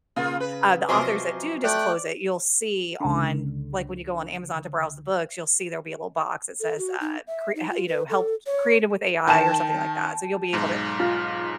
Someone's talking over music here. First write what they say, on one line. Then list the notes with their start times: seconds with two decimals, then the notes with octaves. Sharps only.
uh, the authors that do disclose it, you'll see on like when you go on Amazon to browse the books, you'll see there'll be a little box that says, uh, "Cre huh you know, helped created with AI" or something like that. So you'll be able to
0.16 C#3 A#3 F4
0.40 B4
0.89 C3 F3 F#3 A#4 C5 D#5 G#5 D6
1.64 A3 D5 G5 F#6
3.00 C#2 D3
6.60 A4
6.79 F#4
7.01 D#4
7.27 E5
7.56 D#4
7.70 F4
7.88 B4
8.10 A4
8.46 C#5
9.27 D#3 G5 A5 E7
10.53 B1 G#2
11.00 F4